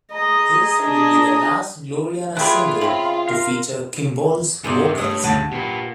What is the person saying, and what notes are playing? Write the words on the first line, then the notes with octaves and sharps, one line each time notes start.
This would be the last Gloriana single to feature Kimball's vocals.
G#4 D#5 A#5
D4 D#5
A3 E4 F4 G4 G#4 B4 D5 B5
C#3 C4 B5
A#4 F5
G2 C3 G#4 C5 D5
A2 D#6
D2 G2 C#3 F#5 A5
A#2 G4 B4